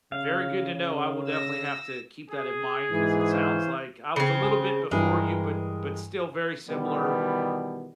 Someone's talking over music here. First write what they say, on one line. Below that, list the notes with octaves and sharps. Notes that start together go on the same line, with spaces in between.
Very good to know, I will definitely have to keep that in mind 'cause it sounds like I was a little bit before you, but but still very similar.
C#3 F5
C#3
E6 A#6
G#4
G#2 E3
C5 C#5 F5
C#3 C4
G#4
G2 E3 G3 G#3 A#4
B2 D#3 E3 G3 B3